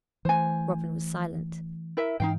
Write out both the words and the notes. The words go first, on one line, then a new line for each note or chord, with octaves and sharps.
Robin was silent.
E3 A3 C5 G#5
E4 A#4 E5
G#2 E3 D#4 F5 G5